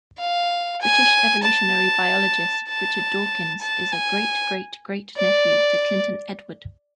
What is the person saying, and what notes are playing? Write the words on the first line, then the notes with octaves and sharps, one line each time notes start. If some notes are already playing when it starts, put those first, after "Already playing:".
British evolutionary biologist Richard Dawkins is a great-great-great-nephew to Clinton Edward.
F5
G#5
A5
A5
A5
G#5
D5